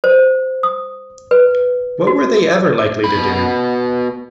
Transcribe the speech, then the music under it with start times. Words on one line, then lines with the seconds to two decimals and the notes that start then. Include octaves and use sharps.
What were they ever likely to do?
0.04 C5
0.63 D#6
1.31 B4
2.07 F#4
3.04 B2 B5